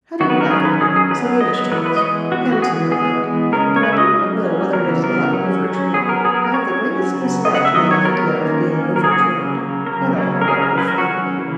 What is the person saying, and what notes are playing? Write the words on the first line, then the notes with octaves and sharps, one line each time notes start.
How do you like it?--Selina's choice--handsome, I think, but I do not know whether it is not over-trimmed; I have the greatest dislike to the idea of being over-trimmed--quite a horror of finery.
D#3 F#3 B3 F#4
B4
A#4
D#3 F#3 C#4 G#4
B4
D#3 F#3 C#4 G#4
G#4
F#3 B3 B4
F#3 B3 D#5
E3 G#3 B3 B4
B4
D#5
E3 G#3 B3 C#5
E3 B3 F#4
F#4
E3 B3 G#4
E3 G#3 B3 G#4
E3 G#3 B3
C#3 G#3 C#4 A#4
C#5
C#3 G#3 C#4 B4
E5
D#5
F#3 A#3 C#4
F#3 A#3 C#4
C#3 E3 B3 A#4
C#3 E3 B3 A#4
F#3 C#4
F#3 C#4
F#3 B3 G#4
A#4
F#3 B3 G#4
A#4
A#4
F#3 C#4 C#5
F#3 C#4
C#3 F#3 B3
C#3 F#3 B3 D#5
F#5
E5
D#3 F#3 B3 D#5
C#5
D#3 F#3 B3 A#4
D#3 A#3 C#4
D#3 A#3 C#4
C#3 F#3 A#3 A#4
G#4
F#4
G#4
C#3 F#3 A#3
C#3 F#3 A#3
C#3 F#3 A#3 A#4
C#3 F#3 C#4
A#4
C#3 F#3 C#4 G#4
A#4
F#3 C#4 B4
A#4
F#4
F#3 C#4
C#3 E3 A#3